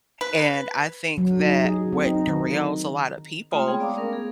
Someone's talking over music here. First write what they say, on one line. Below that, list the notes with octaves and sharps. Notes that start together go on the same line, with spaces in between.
and I think that what derails a lotta people
B4
F#3
D#4
G#4
C4
D#4
D#3
G#3 A3 F4 G5 C6 D#6
B3 C4 G#4 C#5 G5
D5 F5 A#5 D6 D#6
A3 B3 C#4 A#4
G#4